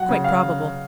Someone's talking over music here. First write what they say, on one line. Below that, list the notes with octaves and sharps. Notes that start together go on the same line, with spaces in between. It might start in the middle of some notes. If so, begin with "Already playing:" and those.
"Quite probable."
Already playing: F#3 F#5
C#3
F5